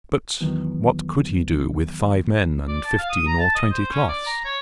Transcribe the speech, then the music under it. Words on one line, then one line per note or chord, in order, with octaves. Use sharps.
But what could he do, with five men and fifteen or twenty cloths?
E2 D#3 E3 F#3 B3
D5
A5
F5
D#6
A#5
A5
D#5
C5
C#4
D5
A#5
C#5